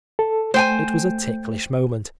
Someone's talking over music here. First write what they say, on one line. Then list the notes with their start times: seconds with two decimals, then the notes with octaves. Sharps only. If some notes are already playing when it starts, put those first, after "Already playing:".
It was a ticklish moment.
0.19 A4
0.54 A3 C5 G5 G#5